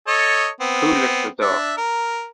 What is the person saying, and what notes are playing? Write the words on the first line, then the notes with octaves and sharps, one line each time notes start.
Who locked the door?
A4 C#5 D#5
B3 C4
D4 E5
A#4